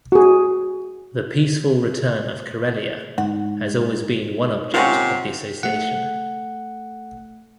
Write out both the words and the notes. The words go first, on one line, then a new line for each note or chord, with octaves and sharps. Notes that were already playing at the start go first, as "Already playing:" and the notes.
The peaceful return of Karelia has always been one object of the association.
F#4 G#4
G#2 F#5
C3 A#3 C4 C#4 F4 F#5
A3 F#5